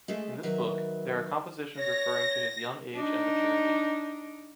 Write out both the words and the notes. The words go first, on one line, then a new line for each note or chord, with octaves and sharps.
In this book, there are compositions referring to his young age and maturity.
G#3 A3 G#4 A4 E5
D#3 F#3 B4 E5
C#5 A#6
D4 D#4